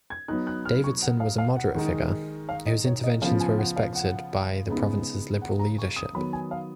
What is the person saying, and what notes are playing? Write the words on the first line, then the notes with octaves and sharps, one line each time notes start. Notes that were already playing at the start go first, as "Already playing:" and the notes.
Davidson was a moderate figure, whose interventions were respected by the province's Liberal leadership.
G#6
F#3 B3 D#4 F#6
F#6
F6
C#6
F#5
F5
F5
F#5
D#3 G#3 D#4
F5
D#5
C#5
D#5
C#3 F3 B3 F4 F5
G#5
F#5
F5
F#5
C#3 G#3 B3 D#4
F#5
A#5
C#6
D#6
D#3 F#3 B3 B5
G#5
F5